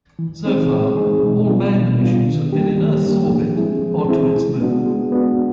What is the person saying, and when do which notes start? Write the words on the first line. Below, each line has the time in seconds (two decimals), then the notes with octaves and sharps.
So far, all manned missions have been in Earth's orbit or to its Moon.
0.19 E3
0.45 G#3 C4 D#4 G#4
0.71 E3
0.97 G#3 C4 D#4 G#4
1.23 B2
1.49 G3 B3 D4 F4
1.74 B2
2.00 G3 B3 D4 F4
2.26 D#3
2.53 G3 A#3 D4 G4
2.79 D#3
3.04 G3 A#3 D4 G4
3.30 F3
3.56 G#3 C4 E4 G#4
3.82 F3
4.09 G#3 C4 E4 G#4
4.35 G#3
4.60 B3 D4 F#4
4.86 G#3
5.12 B3 D4 F#4